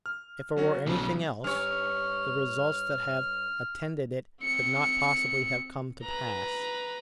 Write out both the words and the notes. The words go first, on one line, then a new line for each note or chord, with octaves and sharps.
If it were anything else, the results that have attended it could not possibly have come to pass.
F6
F#3 C#4 F#4
B1 F2 C#3 F#3
G2 C#5 F6
C4 C#7
B4 A#5